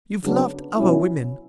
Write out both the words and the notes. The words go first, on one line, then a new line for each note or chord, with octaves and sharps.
You've loved other women.
C#3 F#3 B3 D4
B2 F#3 C#4 E4